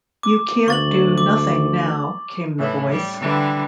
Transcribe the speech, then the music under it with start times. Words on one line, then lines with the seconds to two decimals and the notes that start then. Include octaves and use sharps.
"You can't do nothing now," came the voice.
0.23 D6
0.68 D2 C#6 A6 F#7
1.18 D6
2.58 A2 E3
2.90 G3
3.19 D3 E3 G3